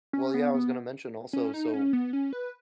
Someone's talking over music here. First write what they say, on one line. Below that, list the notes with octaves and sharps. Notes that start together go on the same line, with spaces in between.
well, yeah, I was gonna mention also. So,
C#4
B3
B3
C#4
D#4
C#4
B3
C#4
B4